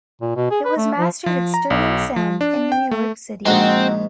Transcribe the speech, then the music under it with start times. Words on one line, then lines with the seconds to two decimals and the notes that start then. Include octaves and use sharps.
It was mastered at Sterling Sound in New York City.
0.21 A#2
0.36 B2
0.51 G#4
0.65 B4
0.77 A3
0.98 F3
1.26 F3
1.54 A#5
1.70 B1
2.16 F3
2.41 D4
2.72 G5
2.91 A3
3.46 A#1 G#2 G#3 C4 D#4 F#4 F#5